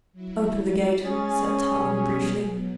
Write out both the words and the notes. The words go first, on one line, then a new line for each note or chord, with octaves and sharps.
"Open the gate," said Tarling briefly.
F#3 E4
G#3 A6
C#4 G#4 C#5
B2 F#3